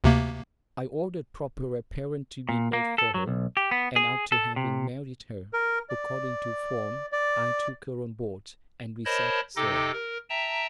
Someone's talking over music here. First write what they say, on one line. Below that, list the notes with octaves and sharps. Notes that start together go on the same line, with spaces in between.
I ordered proper apparel to be made for her; and after having married her, according to form, I took her on board, and we set sail.
D2 C3 A#3
A#2
A#3
A4
F#3
B1
G4
B3
G#4
A4
C3
A#4
D5
D5
A#4 C5 C#5 D#5 A5 B5
C3 D#4 A4 D#5 G5 D6
A#4
E5 G5 A5 A#5